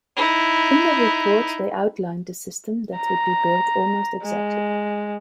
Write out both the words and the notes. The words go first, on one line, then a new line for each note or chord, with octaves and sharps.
In their report they outlined the system that would be built almost exactly.
D#4 E4
A#5
G#3